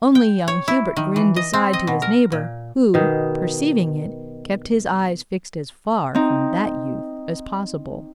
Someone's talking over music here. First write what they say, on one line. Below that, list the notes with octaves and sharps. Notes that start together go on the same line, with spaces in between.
Only young Hubert grinned aside to his neighbour, who, perceiving it, kept his eyes fixed as far from that youth as possible.
G5
C#5
E4
D#3
E3
D#5
C4
D#5
B2
A#4
A#2
B2 D#3
C4 D#4